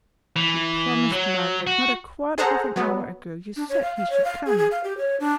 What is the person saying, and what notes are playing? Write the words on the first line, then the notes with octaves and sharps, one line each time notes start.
'You promised, Margaret, not a quarter of an hour ago;--you said he should come.'
E3
F#3
F#4
G#4 A4 C5 F#5 A#5
F#3 B3
D4
C#5
F5
F5
C#5
F5
G#4
G#4
F5
G4
C#5
D4